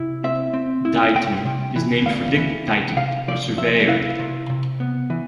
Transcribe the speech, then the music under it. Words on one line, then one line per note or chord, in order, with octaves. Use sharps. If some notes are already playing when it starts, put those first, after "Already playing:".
Dighton is named for Dick Dighton, a surveyor.
Already playing: C3 E4
C4 E5
C4
E4
C3 G5
C3
E3
D2 F5
E3
C3
C3 F5
F3 D5
C3 E5
E4 F5
C3
C3
B3
E3